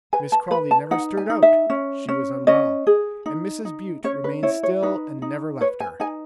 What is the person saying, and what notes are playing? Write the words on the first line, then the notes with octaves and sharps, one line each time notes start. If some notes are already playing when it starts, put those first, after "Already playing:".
Miss Crawley never stirred out--she was unwell--and Mrs. Bute remained still and never left her.
B4 G#5
A5
B4 B5
A5
D#4 F#5
G#5
D#4
E5
C#4
C#4
C#4 D#5
G#4
D#4
D#4
C#4 C#5
B4
E4 C#5
C#5
D#4 B4
D#4
B4 C#5
G#5
D#4 G#5